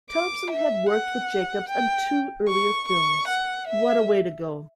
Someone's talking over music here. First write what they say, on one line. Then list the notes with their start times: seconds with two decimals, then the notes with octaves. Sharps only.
Thompson had worked with Jacobs on two earlier films, What a Way to Go!
0.10 D6
0.51 E5
0.90 F#5
1.69 G5
2.49 C#6
2.88 C#6
3.28 F#5
3.68 E5